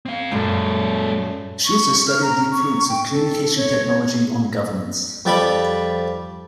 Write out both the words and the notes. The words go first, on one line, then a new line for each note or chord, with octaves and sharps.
She also studied the influence of communication technology on governance.
C4 F5
F#2 A#2 G3 G#3 A4
C#6
F6
A#5
C#6
G5
A4
C#5
F2 F3 G3 G5 B5